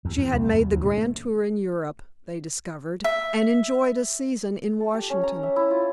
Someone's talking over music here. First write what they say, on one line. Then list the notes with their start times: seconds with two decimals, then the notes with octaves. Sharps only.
She had made the grand tour in Europe, they discovered, and enjoyed a season in Washington.
0.05 D#2
0.18 E2
0.33 C2
0.54 D#2
0.71 D2
0.84 A2
0.98 A3
3.04 E5
4.80 A4
4.94 G4
5.10 C#4
5.23 A#5
5.43 E5
5.56 E4
5.70 F4